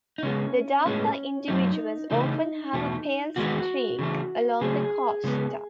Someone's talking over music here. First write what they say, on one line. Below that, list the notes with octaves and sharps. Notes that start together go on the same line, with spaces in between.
The darker individuals often have a pale streak along the costa.
D#4
C#3 G#3 B3 C#4
A2 G#3 B3 C#4
F#2 C#3 F#3 A3 D#4
C#3 E3 A3 D#4
E2 B2 A3
E2 D#3 G#3 B3 F#4
C#3 E3 A3
C#3 F#3 A3 G#4
C#3 G#3 B3